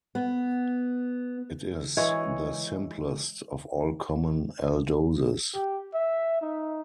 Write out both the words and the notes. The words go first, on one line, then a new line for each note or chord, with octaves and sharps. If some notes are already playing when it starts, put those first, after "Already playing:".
It is the simplest of all common aldoses.
B3
E3 G#3 C#5
G4
E5
D#4